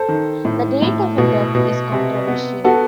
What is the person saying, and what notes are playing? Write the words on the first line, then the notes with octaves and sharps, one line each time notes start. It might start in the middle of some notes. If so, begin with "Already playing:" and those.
The date of her death is controversial.
Already playing: A4 C5
D#3
A2
A2
B2
B2
C3
B3
B3 F#4 A4